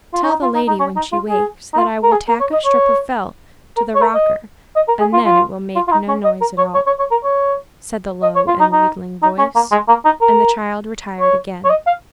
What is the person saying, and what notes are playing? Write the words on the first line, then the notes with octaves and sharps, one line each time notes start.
"Tell the lady, when she wakes, that I will tack a strip of felt to the rocker, and then it will make no noise at all," said the low and wheedling voice; and the child retired again.
F4
C#4
D#4
F4
D#4
D#4
C#4
D#4
F4
G#4
D#4
F4
A#4
G#4
A#4
C#5
D#5
C#5
A#4
C#5
A#4
D#5
D#5
A#4
G#4
F4
F4
F4
F4
D#4
C#4
D#5
A#4
C#5
C#5
C#5
C#5
A#4
C#5
D#5
C#5
F4
D#4
D#4
D#4
C#4
A#3
G#3
A#3
D#4
A#4
C#5
C#5
D#5
F5